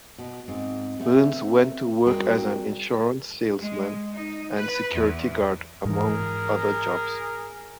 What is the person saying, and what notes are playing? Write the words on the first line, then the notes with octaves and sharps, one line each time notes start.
Burns went to work as an insurance salesman and security guard, among other jobs.
B2
G#2 C4
A3 B3 C4
G3 C4 F#4 G#4 A#4 G5
G#3
D#4
B4
E2
G#2 E3 G#4 A#4